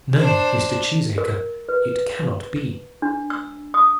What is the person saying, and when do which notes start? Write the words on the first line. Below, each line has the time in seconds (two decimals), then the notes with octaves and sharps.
"No, Mr. Cheesacre; it cannot be."
0.18 D4 C5
1.18 A#4
1.69 B4
3.02 D4
3.30 E6
3.74 D#6